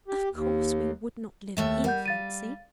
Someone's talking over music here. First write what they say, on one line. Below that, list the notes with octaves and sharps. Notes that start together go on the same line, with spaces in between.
Of course we would not live here, Fancy.
G4
D#2
D#2 A3 E5
G3 A#4 F#5 G6
F5 A6 D#7